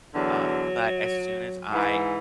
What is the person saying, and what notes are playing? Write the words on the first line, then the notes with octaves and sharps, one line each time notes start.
um, but as soon as I
E2 D3 F#3
G#2 E3